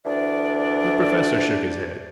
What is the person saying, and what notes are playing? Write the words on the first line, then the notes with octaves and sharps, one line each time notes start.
The professor shook his head.
D2 E3 D4 D5